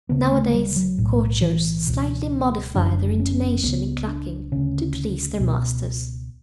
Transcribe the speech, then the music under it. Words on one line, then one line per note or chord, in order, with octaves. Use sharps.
Nowadays, courtiers slightly modify their intonation in clucking to please their masters.
D2 C#3 B3
B3
A3
G3
F#3
B1 A2
E3
C#2 B2
F#1 F#2 D3 D4
C#4
C#2 C#3 B3
D4
D2 C#3 C#4
C#2 B2